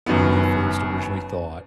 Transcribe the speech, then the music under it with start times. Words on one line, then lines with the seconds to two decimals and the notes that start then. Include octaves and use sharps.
we first originally thought,
0.06 F#1 F#2 D#3 B3